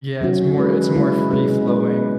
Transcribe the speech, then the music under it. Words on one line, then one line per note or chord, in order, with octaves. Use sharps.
Yeah, it's more it's more free-flowing,
D#3 F#3 C#4 F#4
G#3 C#4 E4 B4
G#3 C#4 E4 B4
G#3 C#4 E4 B4
G#3 C#4 E4 B4